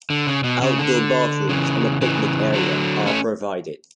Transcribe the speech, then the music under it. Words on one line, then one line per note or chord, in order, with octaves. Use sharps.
Outdoor bathrooms and a picnic area are provided.
D3
C#3
B2
C#3
D3
C#3 E3
C#3 E3
D3 F#3
A3 C#4